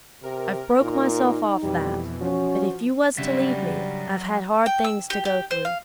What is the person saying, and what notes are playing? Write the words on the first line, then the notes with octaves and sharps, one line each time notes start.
I've broke myself off that; but if you was to leave me--I've had hard things to go through.
C3 A#4
A#2 D#4
F2 B2 E3 G3
F3 C#4 F#4
C#3 F#3 G3 C#4 D4 E5
G5
E6
G4
G4
C5
F5